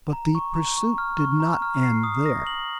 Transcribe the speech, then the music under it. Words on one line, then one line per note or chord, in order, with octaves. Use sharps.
But the pursuit did not end there.
A#5
C#6
A#5
C#6
F6
C#6
A#5
F6
C7
D#6
A#6
F#7